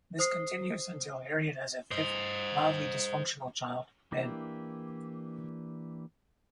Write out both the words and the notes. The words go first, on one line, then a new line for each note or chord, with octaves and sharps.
This continues until Harriet has a fifth, wildly dysfunctional child, Ben.
C5 D#6 C7
C5 D#5
E3 A#3 D4 E4 G4